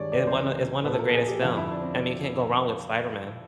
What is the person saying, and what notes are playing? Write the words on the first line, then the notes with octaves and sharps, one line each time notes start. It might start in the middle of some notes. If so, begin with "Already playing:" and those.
it one of is one of the greatest film. I mean, you can't go wrong with Spider-Man.
Already playing: G2 D#3 G#3 C#5 D5
D5
C#2 C3 E3 C5
A#1 A#2 F3 B4
A4
A#4
G#4
G4
F2 D3 F3 F4
E4
D4
C4